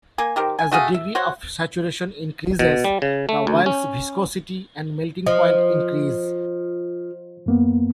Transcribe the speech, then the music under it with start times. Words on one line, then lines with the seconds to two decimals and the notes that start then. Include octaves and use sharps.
As the degree of saturation increases, the oil's viscosity and melting point increase.
0.18 A#3 G#5
0.36 D#3 G4 A#4 C5
0.59 G#5
0.72 A3 F#4 G#4 F5
0.94 E5
1.15 F#4 C5 C#5 F#5
2.59 B2
2.84 G3
3.02 C#3
3.29 A3
3.47 D2
3.66 C#4
5.27 F3 D#5
7.46 F#2 A#3 B3